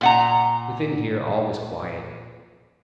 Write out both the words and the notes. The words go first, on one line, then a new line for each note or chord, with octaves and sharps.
Within here all was quiet.
A#2 F#5 A#5